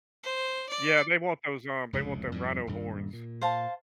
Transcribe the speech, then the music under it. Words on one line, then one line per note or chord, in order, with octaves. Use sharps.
Yeah, they want those, um, they want the rhino horns.
C5
D5
F1 C#2 A2
F2 G#2 G3
D#1 G2
A#2
C5 F5 A5